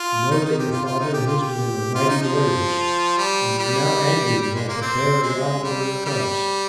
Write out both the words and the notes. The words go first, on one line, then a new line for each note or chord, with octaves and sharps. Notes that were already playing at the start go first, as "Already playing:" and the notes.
You know that your father and his men are mighty warriors and are now angry, like a bear robbed of her cubs.
Already playing: F4
D#4
D#4
G4
F4
F4
D#4
G4
F4
G4
F4
D#4
F3
G3
G3
G3
G#3
A#3
C4
G#3
G3
G3